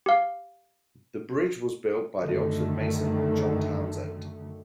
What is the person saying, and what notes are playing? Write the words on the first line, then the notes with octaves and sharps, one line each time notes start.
The bridge was built by the Oxford mason John Townesend.
G4 F5
F#2 D3 D#3 A3